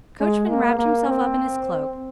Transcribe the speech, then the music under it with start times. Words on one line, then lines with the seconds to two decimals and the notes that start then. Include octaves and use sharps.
The coachman wrapped himself up in his cloak.
0.21 G#3
0.49 A#3
0.79 A#3
1.08 C4